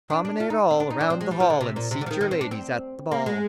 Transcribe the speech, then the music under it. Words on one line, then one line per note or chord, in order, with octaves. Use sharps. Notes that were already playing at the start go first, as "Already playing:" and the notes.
"Promenade all Around the hall, And seat your ladies at the ball."
D4
D4
F4
D#4
C4
D4
D#4
D4
C4
G#3
G3
F3
D3
C3
A#2
C3
D3
F3
D#3
D#3
C4
D4
C4
A#3
G#3